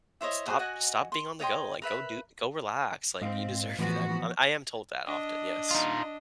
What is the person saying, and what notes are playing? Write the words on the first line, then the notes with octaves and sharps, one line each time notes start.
"Stop stop being on the go. Like, go do go relax, like, you deserve it." I'm I am told that often, yes.
E4 C5 C#5 D#5
F#4 G#4 C5 D#6
F#4 D#5 F#5 G#5
C6
C#5 D#5 G5 C6
A#4 B4 E5
G#2 C4 D#5 F5
A2 E3 F3 B3 F#4
D4 D#5
D#4 F4